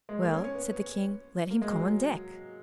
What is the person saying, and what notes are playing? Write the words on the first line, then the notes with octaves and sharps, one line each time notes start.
"Well," said the King, "let him come on deck."
G#3
A#3
C#4
C#4
B3
A#3
G#3
F#3